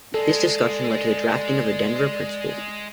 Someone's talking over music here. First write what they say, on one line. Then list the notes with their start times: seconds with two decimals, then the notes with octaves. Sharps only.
This discussion led to the drafting of The Denver Principles.
0.14 G#3 A4 D5